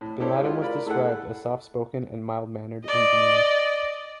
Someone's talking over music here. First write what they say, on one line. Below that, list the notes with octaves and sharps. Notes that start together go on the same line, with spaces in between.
Bin Laden was described as soft-spoken and mild-mannered in demeanor.
A2
D4 E4 G4 A4 C5 C#5
G#3 E4 F4
A#4 D5 B5
A3 E4 G#4 A4 F#5
D5 D#5